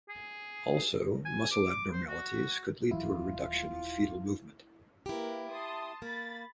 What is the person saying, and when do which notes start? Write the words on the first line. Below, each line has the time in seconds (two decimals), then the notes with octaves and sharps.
Also muscle abnormalities could lead to a reduction of fetal movement.
0.09 G#4
1.25 G#5
1.51 D6
1.93 C5
2.08 F#4
2.91 D#1 E3 F#3 E4 F4
5.06 A#3 E4 G4 A#4 B4
5.50 A5 C6 D#6
6.02 A#3 B5 A6